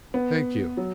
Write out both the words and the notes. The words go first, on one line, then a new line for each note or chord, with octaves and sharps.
Thank you.
B3
F#3